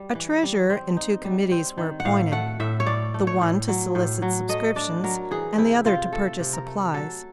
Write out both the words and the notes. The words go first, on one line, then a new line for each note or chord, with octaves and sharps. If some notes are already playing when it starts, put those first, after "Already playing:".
A treasurer and two committees were appointed; the one to solicit subscriptions, and the other to purchase supplies.
Already playing: G3
E3
G3
C4
D#4
G3
C4
D#3
F#5
A2 F5
A3 F#5
A2 E5
C#5
A2 D5
A3
C#5
A2
F#3
A2
F#3
A3 D#5
D4 D5
F#3 A#4
E3 G#4
C3 E4
C3 F4
A3 A4
C3
A#4
A3
F#3 A4